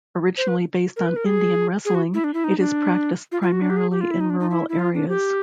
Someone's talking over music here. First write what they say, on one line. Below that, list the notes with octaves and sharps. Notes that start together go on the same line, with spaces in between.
Originally based on Indian wrestling, it is practiced primarily in rural areas.
C5
B4
A#4
B4
A#4
G#4
G#4
F#4
E4
D4
E4
D#4
D4
F4
F4
F#4
D4
G4
G#4
G4
F4
E4
D#4
D4
D#4
E4
E4
F4
D4
G4